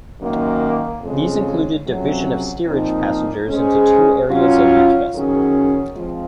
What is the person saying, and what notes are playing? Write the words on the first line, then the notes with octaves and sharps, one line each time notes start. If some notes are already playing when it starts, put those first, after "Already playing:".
These included division of steerage passengers into two areas of each vessel.
F#2 D#3 A#3
F2 C#3 G#3
F2 C3 F#3 C#4
A#2 F3 C4 D#4
G#3 C#4 G#4 C5
F#3 C#4 F4
F#2 D#3 F#3 C#4 G#4
F3 G#3 C4 F4